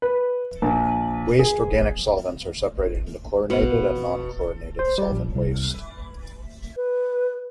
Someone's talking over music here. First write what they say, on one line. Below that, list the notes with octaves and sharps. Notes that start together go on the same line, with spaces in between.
Waste organic solvents are separated into chlorinated and non-chlorinated solvent waste.
B4
A#1
G#4
B2 F5 F#5 B5
C5
G3
A#1
C2
B4